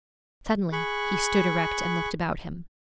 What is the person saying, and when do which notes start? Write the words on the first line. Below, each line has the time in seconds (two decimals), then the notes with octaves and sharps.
Suddenly he stood erect and looked about him.
0.72 G#4 B5 C#6 F#6